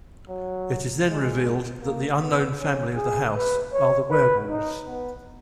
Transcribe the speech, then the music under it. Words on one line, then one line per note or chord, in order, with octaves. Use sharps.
It is then revealed that the unknown family of the house are the werewolves.
F#3
G#3
A#3
B3
C#4
G#4
B4
C#5
B4
D#4
B3